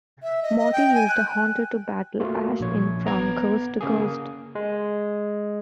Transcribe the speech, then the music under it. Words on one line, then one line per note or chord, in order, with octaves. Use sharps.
Morty used a Haunter to battle Ash in "From Ghost to Ghost".
E5
D#5
D#5
G5
G#5
F#6
A3 A#3 F4 F#4
A#1 C#5
B3 A#5 G#6
C#3 A#3 G#4
G#3